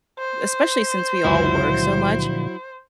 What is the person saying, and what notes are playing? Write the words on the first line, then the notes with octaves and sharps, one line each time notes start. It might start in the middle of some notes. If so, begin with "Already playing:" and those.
especially since we all work so much,
C5
C#2 F#2 D3 F#3 E4 F4
A#2 D3 F3